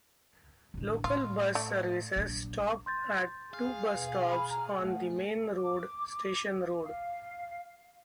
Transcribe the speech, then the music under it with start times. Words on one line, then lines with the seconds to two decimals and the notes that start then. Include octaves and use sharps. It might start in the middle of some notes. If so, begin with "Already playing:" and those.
Local bus services stop at two bus stops on the main road, Station Road.
0.74 A1 D3
1.04 A2 F4
1.55 A3 D5
2.16 A#1 F#3
2.86 C6 G6 A6
3.54 G#4 F5
3.92 B2
4.79 A3
5.55 D6
6.83 F5